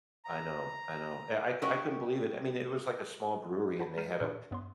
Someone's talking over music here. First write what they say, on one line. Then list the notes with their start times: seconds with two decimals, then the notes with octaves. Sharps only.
I know. I know. I c I couldn't believe it. I mean, it was like a small brewery, and they had a
0.25 A#5
1.62 C#4 F#4 G4 A#4
3.79 C5 F#5 A5 B5
3.97 G#3 A#5 F6 G6 A6 D#7
4.21 A#2 D4 F4 F#4
4.51 G2 B3 C#5 C6